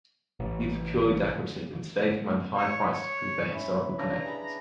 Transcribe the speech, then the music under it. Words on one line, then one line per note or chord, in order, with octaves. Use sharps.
These were purely decorative and today command high prices because of their historical connections.
A1
C#5
C#5
C#4 E4
B4
C#3 D4 A#5
G#4 B5